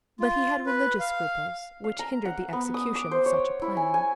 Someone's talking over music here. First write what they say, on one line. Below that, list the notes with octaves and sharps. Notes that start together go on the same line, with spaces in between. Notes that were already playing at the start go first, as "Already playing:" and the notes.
But he had religious scruples, which hindered the execution of such a plan.
F4
B4
F5
F5
A#5
F#5
B3
D#6
D6
C5
C#5
E4
G#5
G#5